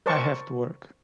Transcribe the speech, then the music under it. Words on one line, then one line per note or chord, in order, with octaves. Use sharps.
I have to work.
A#4 C5 D5 A5 C#6